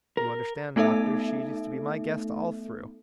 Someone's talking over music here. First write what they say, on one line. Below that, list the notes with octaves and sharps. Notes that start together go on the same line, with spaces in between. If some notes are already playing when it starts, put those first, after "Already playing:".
You understand, Doctor, she is to be my guest all through.
A#4
A3 B3 D#4 A4 E5